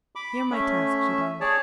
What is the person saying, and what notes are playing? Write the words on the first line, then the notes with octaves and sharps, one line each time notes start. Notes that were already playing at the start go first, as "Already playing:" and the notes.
Here my task should end.
B5 D6
A3 C#4 E5
G#4 C#5 D5 A5